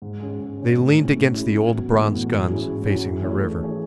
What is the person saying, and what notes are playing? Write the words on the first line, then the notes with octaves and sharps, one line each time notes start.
They leaned against the old bronze guns, facing the river.
G#2
G#3 C#4
G#2
G#3 C#4
A2
G#3 C#4 E4
A2
G#3 C#4 E4
A2
E3 B3 F#4
A2
E3 B3 F#4
G#2
F#3 C#4 E4 G#4
G#2
F#3 C#4 E4 G#4
E3
A3 E4 G#4 C#5
E3
A3 E4 G#4 C#5